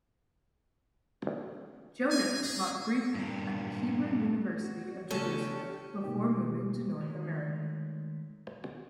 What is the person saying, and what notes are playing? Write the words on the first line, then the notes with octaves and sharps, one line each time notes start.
Jonas taught briefly at the Hebrew University of Jerusalem before moving to North America.
G#5
G#4
G2 A#2
F#4
C#3 A3 B3 C#4 D4 G4 A4 A5
B2 A#3 B3 D#4 G4
D#3 G#3 A3 C#5